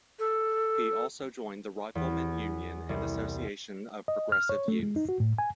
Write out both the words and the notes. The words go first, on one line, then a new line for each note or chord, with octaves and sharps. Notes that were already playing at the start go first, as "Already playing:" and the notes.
He also joined the Riflemen Union and "Association of Progressive Youth".
A4
E2
C2
D#5
F6
C#5
A3
G#3
D#4
F#4
A2
G#5